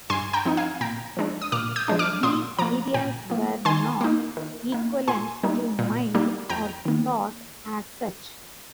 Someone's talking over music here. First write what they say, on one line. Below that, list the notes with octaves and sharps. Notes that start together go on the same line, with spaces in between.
These ideas were not equivalent to mind or thought as such.
G2 G#5 C6
G5 A#5
F3 C4 D#4
F5 G#5
A#2 G5 A#5
F3 G#3 D4
D#6
A#2 D6 F6
D#6 G6
F3 G#3 D4
D6 F6
A#2 C6 D#6
F3 A#3 A#5 D6
A#2 G5 A#5
F3 A#3
D#3 G#5 C6
A#3 D#4
D#3
A#3 D#4
A#2 G#5 C6
G3 A#3 D#4
A#2
G3 A#3 D#4
F2 G5 A#5
D#3 A#3